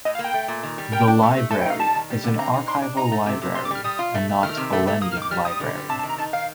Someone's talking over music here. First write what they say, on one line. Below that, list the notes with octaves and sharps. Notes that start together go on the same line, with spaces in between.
The Library is an archival library and not a lending library.
A2 D#5
F5
A#3
G5
A3
A#2
D#3
G3
A#4 G5
D4
A3
A3
A3 A5
G5
D#4 F5
G3 A5
D#3
G3
D3
C4 A#5
D#4
D4 C6
D4
D#4 A#5
A3
C3
C3
G3 C6
D6
G3 F6
G3 D#6
F4
A3
A3
D#3 F6
C3
A3
A3
A#3 D#6
F6
D#3
D6
G3 F6
G3 D#6
D3
G3
C3 A5
A5
D#3
A#5
D#4 A5
D#3 F5